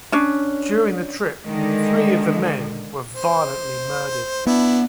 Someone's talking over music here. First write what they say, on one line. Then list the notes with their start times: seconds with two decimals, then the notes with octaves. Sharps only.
During the trip, three of the men were violently murdered.
0.12 C#4 D4
1.44 D3 D#3 G#3
3.16 C5
4.46 B3 D4 E4